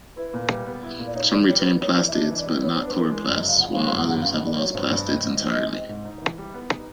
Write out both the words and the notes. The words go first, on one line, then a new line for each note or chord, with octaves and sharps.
Some retain plastids, but not chloroplasts, while others have lost plastids entirely.
E4 B4
A#2
G3
B3
E4
A#2
D5
D#4 C#5
E3 D5
G3 C#5
B4
B3 C5
D#4 C#5
E3 D5
E5
D4 D#5
E3
D5
G3
B3 C#5
C5
D4
B4
E3 A#4
G#3
F#2 D5
D#5
C#3 F5
F3 F#5
F5
G#3
F5
F#2 F#5
G2 F#5
F5
G2
D#5
D#3 D5
F#3 C#5
G2 C5
G2 D5
C4 D#5
G#2
E3
G#3
C4
G#2
D#4
E3
G3
B3
D#4